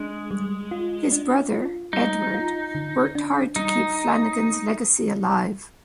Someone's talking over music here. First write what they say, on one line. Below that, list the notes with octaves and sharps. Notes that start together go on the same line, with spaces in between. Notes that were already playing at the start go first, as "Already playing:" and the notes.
His brother, Edward, worked hard to keep Flanagan's legacy alive.
Already playing: G#3 D4
G3
F4
D4
F4
G3 D#4
F4
D3
D4
G3 D#4